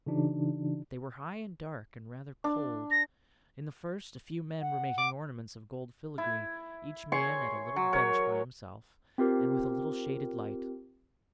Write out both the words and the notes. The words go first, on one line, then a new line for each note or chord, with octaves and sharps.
They were high and dark, and rather cold. In the first a few men were making ornaments of gold filigree, each man at a little bench by himself, and with a little shaded light.
C#3 E3 D4 D#4 F#4
D4
A#6
F#5
D6
E4
C#5 G#5 C6 C#6
F#3
A#4 C#5
C4 F4 G4 A#4